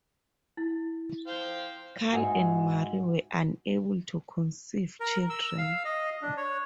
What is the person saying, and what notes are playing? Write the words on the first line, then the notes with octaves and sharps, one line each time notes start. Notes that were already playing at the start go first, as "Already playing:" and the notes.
Carl and Marie were unable to conceive children.
E4
C5 F5 G5
G#2 F#4 E5
A#4
E6
F5
D#5
D4
C#5